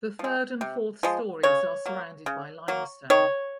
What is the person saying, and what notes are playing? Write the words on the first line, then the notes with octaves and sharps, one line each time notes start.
The third and fourth stories are surrounded by limestone.
F3 G#3
C3
F3 G#3
C#3 C#5
F#3 A#3
C#3
F#3 A#3
D#3 C#5